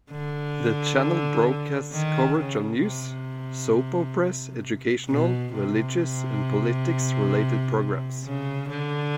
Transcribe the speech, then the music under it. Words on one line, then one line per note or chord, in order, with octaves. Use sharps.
The channel broadcasts coverage of news, soap operas, educational, religious and politics related programs.
D3
D#3
C#3
C3
B2
C3
C#3
D3